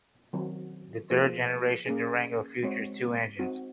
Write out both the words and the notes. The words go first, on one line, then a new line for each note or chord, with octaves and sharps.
The third-generation Durango features two engines.
D#3 F#3 C4 F#4
F3 A#3 F4 G#4 C5
A#3 C#4 G#4
G#3 C4 F#4 C#5
C4 D#4 F#4